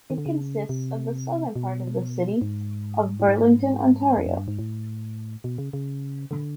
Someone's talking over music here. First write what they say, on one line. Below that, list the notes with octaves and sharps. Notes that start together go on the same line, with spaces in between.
It consists of the southern part of the city of Burlington, Ontario.
D#3
D3
C#3
C3
B2
G#2
A2
G#2
F2
F#2
G2
G#2
A2
B2
C#3
C#3
D3